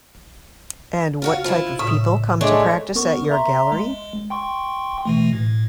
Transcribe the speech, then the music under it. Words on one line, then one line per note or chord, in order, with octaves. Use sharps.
And what type of people come to practise at your gallery?
C#3 F4 F#4 F5
E4 F4 C5
A2 C#3 E5 D#6
G#3 A3 D4 C#5 D5 D6
B3 A#4 C#6
E5 A#5 C6
G#3
G5 C6 C#6
B2 E3 A3
A2